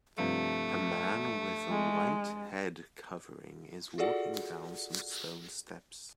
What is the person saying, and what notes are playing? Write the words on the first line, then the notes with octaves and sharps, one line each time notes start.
A man with a white head covering is walking down some stone steps.
G2 C3 F3 A3
G#3
F4 F#4 G#4 A4 D5 F#5